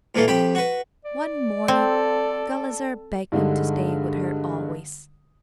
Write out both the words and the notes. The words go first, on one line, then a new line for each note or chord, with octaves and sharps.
One morning Gulizar begged him to stay with her always.
A#2 E3 A3 A#3
F2 G4 G5 B5
F#4 B4
D5
C4 A4
G2 D3 G#3 D#4